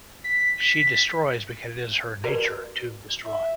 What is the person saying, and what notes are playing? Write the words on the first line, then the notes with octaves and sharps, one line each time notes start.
She destroys because it is her nature to destroy.
B6
F#4 A#4 B4 D5
E5